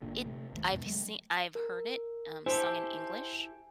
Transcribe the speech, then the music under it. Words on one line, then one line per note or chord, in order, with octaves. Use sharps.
It I've seen I've heard it, um, sung in English.
G1 A#2 D3
C3 A3
G1 D#2 A3
E2 G#2 B2
C#3 F#3 G#3 A3
A#4
E4 G4 A4 C5 G#5